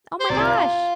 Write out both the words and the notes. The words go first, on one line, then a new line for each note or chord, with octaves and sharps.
Oh my gosh!
C5
C3 D5
E4
F4